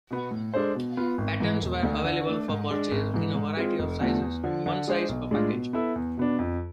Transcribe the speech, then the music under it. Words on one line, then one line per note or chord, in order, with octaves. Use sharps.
Patterns were available for purchase in a variety of sizes, one size per package.
B2 B3
A2
G#3 D4 A4 C5
B2
B3 F4
G#1
G#2 E3
E1
D2 D3
D3
A3 D4
G#2
G#3 D4
G#1
G#2 E3
G#2
G#3 C4 F4
F1
E2 D3 F3 A3
E2
D3 F3
D3
G#3 D4 G#4 C5
B1
A2 G#3 D4 F4
B2
B3 E4 A4 E5
E2
B2 B3 D4
F2